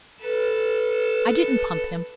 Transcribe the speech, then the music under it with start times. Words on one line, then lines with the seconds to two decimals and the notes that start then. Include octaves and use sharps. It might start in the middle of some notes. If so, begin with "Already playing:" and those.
I didn't pump him.
0.20 A4 B4